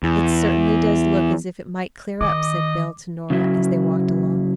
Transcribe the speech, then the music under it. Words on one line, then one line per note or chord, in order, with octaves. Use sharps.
"It certainly does look as if it might clear up," said Belle to Nora, as they walked along.
E2
D#3 D#5 D6
C#3 F#3 E4